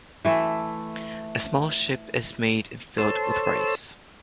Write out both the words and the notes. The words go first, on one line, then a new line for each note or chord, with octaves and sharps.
A small ship is made and filled with rice.
E3 A3 A4
A4 C5 C#5 A5 C6 E6